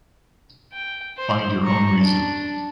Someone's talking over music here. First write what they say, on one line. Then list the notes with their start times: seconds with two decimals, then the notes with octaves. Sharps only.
Find your own reason.
0.72 G5
1.17 C5
1.63 A#5 C#6
2.00 D4